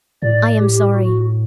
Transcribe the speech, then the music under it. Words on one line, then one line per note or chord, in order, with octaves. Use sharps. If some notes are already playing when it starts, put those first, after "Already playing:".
I am sorry.
A2 D5
G4
F#4